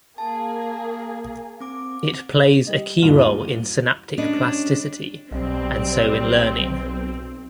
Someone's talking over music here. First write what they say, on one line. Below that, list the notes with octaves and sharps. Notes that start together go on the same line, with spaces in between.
It plays a key role in synaptic plasticity and so in learning.
A#3 G#4 A5
C4 D6
G3 D#5
D#1 G2 E3 F4 F#4 G7
D#7
G3 C#4 D4 C#5 D#5
B1 G3 C4